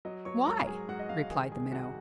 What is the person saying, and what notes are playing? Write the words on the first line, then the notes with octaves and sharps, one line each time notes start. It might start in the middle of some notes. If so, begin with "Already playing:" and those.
"Why?" replied the Minnow.
F#3 D#5
F#3 C#5 C#6
G#2 A#4 A#5
F#3 G#4 G#5
G#2 F#4 F#5
D#5
G#2 F5
D#3 G#4 G#5
C2 G#4 G#5
C3 F#4 F#5